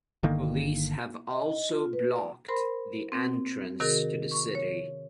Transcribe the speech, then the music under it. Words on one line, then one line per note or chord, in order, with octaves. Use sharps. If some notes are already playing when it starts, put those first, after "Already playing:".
Police have also blocked the entrance to the city.
G1 D3 D#3 A#3
D#5
F4
B4
D5
A#4 C5 B5 C6
C4
C3 D#3 F#4 G#4 A#4
C#6
C#5